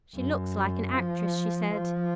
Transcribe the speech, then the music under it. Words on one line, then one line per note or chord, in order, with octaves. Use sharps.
"She looks like an actress," she said.
F#2
F3
F3